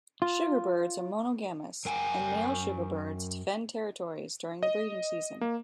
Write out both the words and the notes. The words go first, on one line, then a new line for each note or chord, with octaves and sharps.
Sugarbirds are monogamous, and male sugarbirds defend territories during the breeding season.
F4
F#2 A#4 G5 G#5 A#5
D#5
A#3